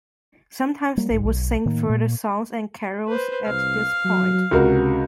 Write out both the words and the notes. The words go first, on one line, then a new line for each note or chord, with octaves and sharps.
Sometimes they would sing further songs and carols at this point.
F#3 G3 A#3
B1 G#2
B1
A2 D#3 A#3
A#2
B4 C5
C2 F5
F#3
C#2 C3 F#4 A#4